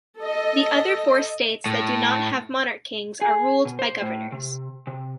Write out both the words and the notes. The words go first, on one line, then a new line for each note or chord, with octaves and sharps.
The other four states that do not have monarch kings, are ruled by governors.
A4 D#5
A2
G#4
B2
C5
A2
C3
C3